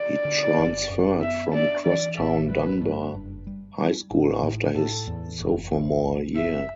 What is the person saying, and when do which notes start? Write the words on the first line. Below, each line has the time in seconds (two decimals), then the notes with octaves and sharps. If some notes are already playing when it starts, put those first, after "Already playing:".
He transferred from crosstown Dunbar High School after his sophomore year.
Already playing: D5
0.25 D3
0.58 F#1
0.90 F#2
1.21 B3 E5
1.53 D4 D5
1.86 E3 D5
2.17 A1 E5
2.49 F#3 B4
2.81 G2 D4
3.14 F#1
3.47 G3
3.78 G3
4.11 A1
4.43 A2
4.75 A2 A4
5.07 E2
5.39 F#1
5.71 C2
6.04 C2
6.35 F#1 E5